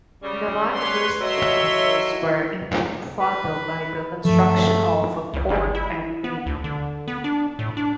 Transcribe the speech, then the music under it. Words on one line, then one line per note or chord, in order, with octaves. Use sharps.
Nawanagar's finances were improved further by the construction of a port at Bedi.
C#3 G3
B4 C#5 C6
F#3 A4 C#5 D#5 E5 C6
E4
B4
G2 F3 A3
C#2
G1
E4
B3
D2
D3
B3
D4
A2
D4